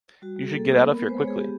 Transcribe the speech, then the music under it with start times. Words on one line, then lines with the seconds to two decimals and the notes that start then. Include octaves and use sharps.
You should get out of here quickly.
0.22 G3 F#4
0.36 G3
0.42 G#4
0.51 A#3 A4
0.66 A#3
0.79 B3 A#4
0.95 B3
1.03 B4
1.08 G#3 C5
1.18 C#5
1.23 G#3 G#4
1.37 B3 G4